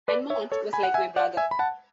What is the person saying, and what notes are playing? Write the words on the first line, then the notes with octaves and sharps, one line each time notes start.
And Monte was like my brother...
B4 D5
C#5 E5
A4 C#5
G#5 B5
F#5
E5 G#5
D5 F#5
E5 G#5
B5
F#5 A5